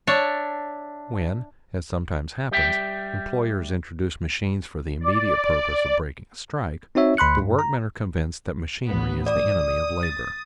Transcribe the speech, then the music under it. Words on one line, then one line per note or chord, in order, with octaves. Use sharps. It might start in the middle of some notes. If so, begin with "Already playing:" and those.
When, as sometimes happens, employers introduce machines for the immediate purpose of breaking a strike, the workmen are convinced that machinery is the enemy of labor.
D4 C#5 E5 A5
G3 G4 E5 G5
D5
C4 D#4 F#4 C#5 E5
D2 B5 C6 F#6 C#7
G2
A#5
A1 B3
D5 D#6
A6